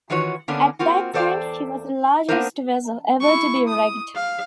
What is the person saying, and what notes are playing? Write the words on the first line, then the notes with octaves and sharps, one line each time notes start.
At that time she was the largest vessel ever to be wrecked.
D#3 E3 F4 F#4 B4 C#5
D3 A#3 B3 C#4 D4
A#3 C4 F4 F#4
E2 A4 C5 D5 F5 G5
A#3 B3 D4 D#4 A#4 C5
E4 C#6
D#6
F5